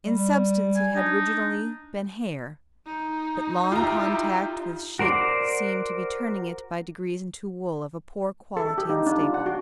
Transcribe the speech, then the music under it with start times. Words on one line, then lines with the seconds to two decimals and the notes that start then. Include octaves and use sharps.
In substance it had originally been hair, but long contact with sheep seemed to be turning it by degrees into wool of a poor quality and staple.
0.06 G3
0.76 G#5
0.95 D4 D#4
2.86 D#4
3.72 E4 F4 G4 A#5
4.99 F#4 A#4 C5 D5
8.57 A4
8.78 G4
8.90 D#4
9.06 D4
9.20 F4
9.34 F#5
9.46 F#4